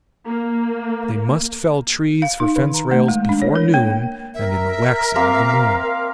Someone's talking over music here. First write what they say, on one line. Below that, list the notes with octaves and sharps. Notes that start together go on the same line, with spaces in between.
They must fell trees for fence-rails before noon, and in the waxing of the moon.
A#3
F5
D#4
D#3
A#5
A3
G#3
D4
C#5
A#4
A#3
A#4 E5
A#3 C4 F5